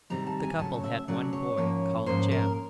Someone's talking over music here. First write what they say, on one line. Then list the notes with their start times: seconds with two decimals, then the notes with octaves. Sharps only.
The couple had one boy called Jem.
0.10 C3 D#3 G3 C4 D#4 A#5
0.27 A5
0.43 G#5
0.59 C#3 F#3 A3 C#4 A5
0.84 E5
1.08 C#3 F#3 A3 C#4 D5
1.33 C#5
1.57 G#2 F3 A#3 C#4
2.06 G#2 F3 A#3 C#4 C5
2.31 A#4